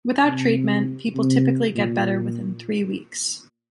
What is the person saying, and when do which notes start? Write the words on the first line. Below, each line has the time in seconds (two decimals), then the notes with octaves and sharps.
Without treatment people typically get better within three weeks.
0.25 C3
1.15 C3
1.75 A#2